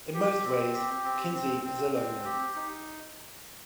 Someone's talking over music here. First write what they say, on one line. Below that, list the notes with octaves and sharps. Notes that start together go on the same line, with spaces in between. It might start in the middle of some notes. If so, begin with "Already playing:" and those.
In most ways, Kinsey is a loner.
G4
C4
G4
C4
C4
C4
C4
G4
D#4